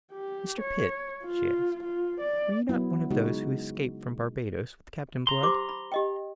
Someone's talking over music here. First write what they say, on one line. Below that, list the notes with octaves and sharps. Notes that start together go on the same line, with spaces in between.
"Mr. Pitt," she asked, "were you not one of those who escaped from Barbados with Captain Blood?"
G4
C#5
F4
F4
D5
F#3 B3 E4
C#3 G#3 D#4 F#4
A#5 C6
G4 C5 D6
B5
G4 D#5 G5